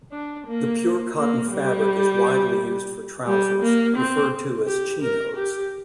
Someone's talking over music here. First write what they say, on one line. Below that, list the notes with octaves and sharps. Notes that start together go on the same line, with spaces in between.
The pure-cotton fabric is widely used for trousers, referred to as chinos.
D4
A#3
A#3
G3
G3
A#3
C4
G4
A#4
G4